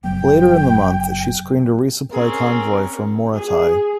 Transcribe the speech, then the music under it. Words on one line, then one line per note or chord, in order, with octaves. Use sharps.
Later in the month, she screened a resupply convoy from Morotai.
F#1 F#3 B3 G5
C4 C#4 G#4 A#4
G#4